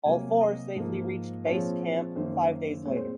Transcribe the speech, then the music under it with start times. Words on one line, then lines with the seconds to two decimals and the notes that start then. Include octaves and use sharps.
All four safely reached base camp five days later.
0.05 C3 F#3 A#3 G#5
0.40 D#5
0.75 G#2 F3 A#3
1.46 A#2 F3 G#3 C4 C#5
2.16 F#2 D#3 A#3 C5
2.86 A#2 G#3 C4 C#5
2.97 C5